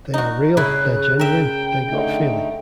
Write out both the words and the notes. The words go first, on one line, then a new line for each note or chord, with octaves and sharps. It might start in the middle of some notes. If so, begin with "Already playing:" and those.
They are real, they're genuine, they got feeling.
D#4 F#4
C#3 E4 F#6
A#4 E5 G5
D3 A3 D#4